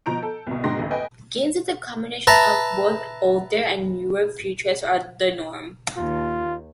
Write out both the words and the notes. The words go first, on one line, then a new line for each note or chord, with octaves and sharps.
Games with a combination of both older and newer features are the norm.
B2 F3 A#5 G6 D7
A4
C2 B2
G#2 B2 D4 G5 C6 A#6
A1 D2
B4 D#5 G5 G#5
B4 E5 A5 A#5
D#2 F4